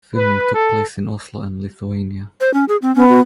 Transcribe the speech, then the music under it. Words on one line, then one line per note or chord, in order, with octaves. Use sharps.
Filming took place in Oslo and Lithuania.
B4
A4
C5
C#4
G#4
C4
B3 C#4
F#4